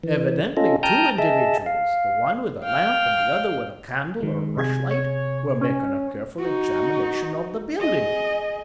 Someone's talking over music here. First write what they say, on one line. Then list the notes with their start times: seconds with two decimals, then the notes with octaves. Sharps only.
Evidently two individuals, the one with a lamp and the other with a candle or rushlight, were making a careful examination of the building.
0.04 E3
0.57 C#4 F4 A4 D#5
0.83 G5 A5 A#5 D#6 F6 G6
1.18 G#4 D#5 E5 A5
1.66 F5
2.63 F5 G5 F6
4.20 D#3 G#3
4.57 C3 G#4 G#6
4.90 C#5
5.61 C#4
6.39 D#4 F#4
7.81 G#4 D#5